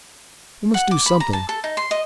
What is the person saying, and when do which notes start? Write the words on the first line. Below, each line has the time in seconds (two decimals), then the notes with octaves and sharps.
We must do something.
0.74 F#5
0.91 D6
1.06 B5
1.20 A#5
1.33 A5
1.49 A4
1.64 D#4
1.77 C6
1.91 D#5